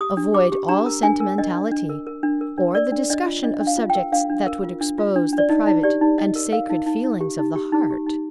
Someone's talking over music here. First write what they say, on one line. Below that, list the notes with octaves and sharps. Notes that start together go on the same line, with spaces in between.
Avoid all sentimentality, or the discussion of subjects that would expose the private and sacred feelings of the heart.
G4 D#6
D4
G4 D6
G4
D4 A#5
A#4
D4 G#5
A#4
D4 D#5
D4
D4
A#4
A#4
D4
A#4
D4
A#4 D5
D4
D4 D#5
F4
D4 D#5
D4
F5
F4
G5
A#4
D4 F5
D4
A#4
F4
D4
F4
D4
D4
D5
D#4 D#5
D#4
G4 D5
D#4
D#4 D#5
A#4
A#4 F5
D#4
D#4
D#4
G4
D#4
G4
D#4
G4
D#4